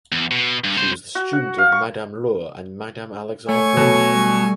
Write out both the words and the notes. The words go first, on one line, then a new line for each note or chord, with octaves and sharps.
She was the student of Madame Laure and Madame Alexandrine.
E2
B2
G2
C2 C5
F#4
F#5
F5
C#6
A3 C#5 G#5 C#6
B2 F#3 A4
G3